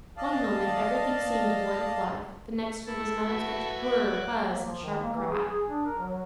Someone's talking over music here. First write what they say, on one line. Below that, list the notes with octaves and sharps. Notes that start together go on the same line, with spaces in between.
One moment everything seemed devoid of life, the next there was an unexpected whir, buzz, and sharp cry.
D5 D#5 F5 A5
E4 A4 A5
F#4 B4 E5
D6 F#6
A#3
F3
D#3
A#3
E3
G#4
G#4
D4
A#4
F#3